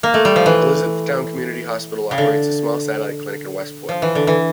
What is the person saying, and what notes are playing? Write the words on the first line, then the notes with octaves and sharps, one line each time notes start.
Elizabethtown Community Hospital operates a small satellite clinic in Westport.
A#3
A3
G3
F3
E3
C#3
D3
F3
E3
D3
E3